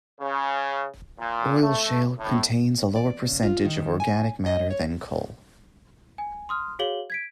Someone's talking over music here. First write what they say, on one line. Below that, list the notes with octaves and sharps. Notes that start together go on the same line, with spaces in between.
Oil shale contains a lower percentage of organic matter than coal.
C#3
A#2
A3
A2
D5
C#3
F4
D#3
G#5
D#5
C#5
G#5
C6 D#6 F6
F#4 G#4 C#5 F5 F#7 G7
G#6 B6 D7